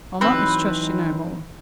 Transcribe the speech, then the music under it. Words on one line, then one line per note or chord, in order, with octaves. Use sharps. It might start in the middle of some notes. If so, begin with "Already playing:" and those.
I'll not mistrust yo' no more.
E3 F#3 C4 D#4 B4